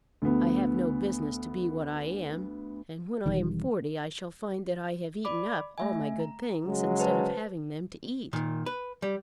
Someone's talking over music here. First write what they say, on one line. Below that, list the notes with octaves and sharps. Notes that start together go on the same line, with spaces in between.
I have no business to be what I am, and when I am forty I shall find that I have eaten up all my good things instead of having them to eat.
D2 B3
E1 E2 D#3 G3
D5 B5 D6
A3 E5 G#5
A#5
C#3 F#3 G#3
B4 C5 A5
A#2 D#3
B4
G3